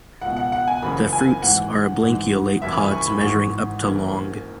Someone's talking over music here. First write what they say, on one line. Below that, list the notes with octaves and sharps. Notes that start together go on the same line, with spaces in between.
The fruits are oblanceolate pods measuring up to long.
C#2 B2 F#5
F#5
F#5
G#5
F#1 F#2 C#3 E3 B5
G#5
G#1 G#2 E3 F#5
G#1 G#2 E3
F#1 F#2 E3 E5
B5
G#5
C#6
B5
G#1 G#2 E3 C#6
F#1 F#2 E3